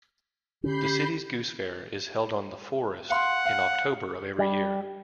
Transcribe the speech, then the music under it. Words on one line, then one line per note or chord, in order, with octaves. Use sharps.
The city's Goose Fair is held on the Forest in October of every year.
D3 C#4 G4 B5 G6 C7
F5 F#5 C6
F5
G3